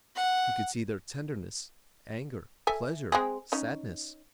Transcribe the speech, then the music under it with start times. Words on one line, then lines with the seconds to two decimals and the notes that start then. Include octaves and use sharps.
You could see there tenderness, anger, pleasure, sadness.
0.16 F#5
2.67 A4 E5 G#5
3.12 G#3 C4 G#4
3.52 C#4 D#4